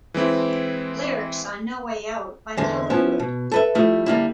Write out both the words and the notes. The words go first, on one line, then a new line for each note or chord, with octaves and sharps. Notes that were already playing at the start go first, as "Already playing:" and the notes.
Lyrics on "No Way Out" by Kelly Wood.
E3 G#3 C4 E4
E2 D3 G#3
F3 B3 C#4 E4
B2
A4 B4 E5
F3 G3 A3 E4 E5
D3 G3 A#3 E4